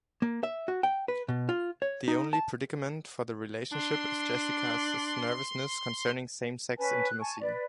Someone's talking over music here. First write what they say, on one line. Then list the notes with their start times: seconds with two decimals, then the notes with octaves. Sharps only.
The only predicament for the relationship is Jessica's nervousness concerning same-sex intimacy.
0.22 A#3
0.43 E5
0.68 F#4
0.83 G5
1.08 B4
1.28 B2
1.49 F4
1.82 C#5
2.08 D#4
2.33 A5
3.72 D4 C6
6.78 C#4 B4 G#5 A5
7.05 F#6
7.20 G#5 A5 C#6
7.39 B4 D5